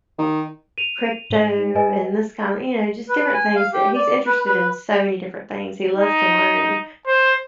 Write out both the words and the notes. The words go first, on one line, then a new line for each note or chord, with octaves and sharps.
crypto and this kinda you know, just different things that he's interested in, so many different things. He loves to learn.
D#3
D#7 F7
G#2
B4 D#5 G#5
B4
G#5
F5
G4
D5
B4
B4
D#4
C5